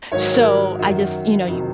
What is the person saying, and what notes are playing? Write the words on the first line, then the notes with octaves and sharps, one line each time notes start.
So I just, you know, y
G#2 D#3 F#3 C#5
A#4
F#2 D#3 F#3 F#4
F2 C3 D#3 F#3